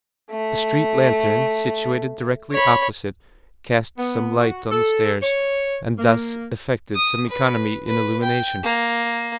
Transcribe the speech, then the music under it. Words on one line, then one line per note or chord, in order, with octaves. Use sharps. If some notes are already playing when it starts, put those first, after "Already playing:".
The street-lantern, situated directly opposite, cast some light on the stairs, and thus effected some economy in illumination.
A3
C#5 B5
B3
F#4
A4
C#5
A#3
D#6
B4
B4
G5
A#3